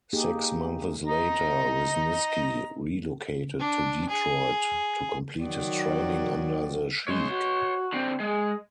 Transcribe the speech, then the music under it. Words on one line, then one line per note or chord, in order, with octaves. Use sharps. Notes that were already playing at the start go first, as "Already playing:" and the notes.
Six months later, Wisniski relocated to Detroit to complete his training under the Sheik.
A#3 D#4 G4 G#4
D#5 A#5
D4
G#4
D#3 F#3 D5
G#3 C#5 C6
F#4
D3 C4
G#3 G#4